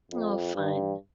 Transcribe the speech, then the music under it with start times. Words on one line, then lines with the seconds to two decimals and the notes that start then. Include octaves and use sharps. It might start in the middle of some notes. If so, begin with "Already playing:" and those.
Oh, fun.
0.11 F2
0.54 G2